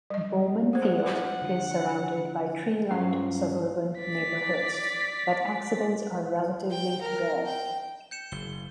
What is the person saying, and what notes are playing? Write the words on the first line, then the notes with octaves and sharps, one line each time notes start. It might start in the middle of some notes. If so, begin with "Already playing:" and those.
Bowman Field is surrounded by tree-lined suburban neighborhoods, but accidents are relatively rare.
G3 D#5
G#4 C5 F#5
D3 F3
G2 F#3 C#4 F4 C5 F5
D5 B6
G5
A#4
G5
G6 C#7 E7
F#1 G7